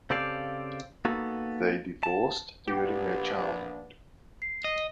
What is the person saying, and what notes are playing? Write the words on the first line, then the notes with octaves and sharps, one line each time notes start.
They divorced during her childhood.
C#3 C4 G4 A4 D5 F5
A#3 B3 D#4 F#4 A4
A5
A#1 B3 D4 G4
C7
D#5